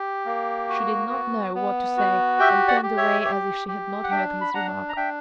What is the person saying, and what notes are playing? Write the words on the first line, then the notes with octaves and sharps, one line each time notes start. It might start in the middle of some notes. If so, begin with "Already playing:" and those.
She did not know what to say and turned away as if she had not heard his remark.
Already playing: G4
A#3
F#4
B3
B3
F#4
G4 E5 G5
D5 F#5
G4
C#5 E5
G4
G4
F#5
D4 E5 G5
B5
D4 F#5 A#5
A#5
D4 E5 G5